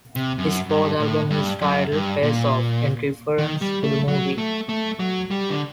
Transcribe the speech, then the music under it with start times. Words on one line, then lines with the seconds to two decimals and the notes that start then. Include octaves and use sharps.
His fourth album is titled "Face Off" in reference to the movie.
0.16 C3
0.38 F#2
0.69 G2
1.00 A2
1.30 G2
1.61 F#2
1.92 G2
2.22 A#2
3.38 D#3
3.61 G3
3.84 A3
4.08 F#3
4.38 A3
4.69 A3
5.00 F#3
5.31 G3
5.50 D3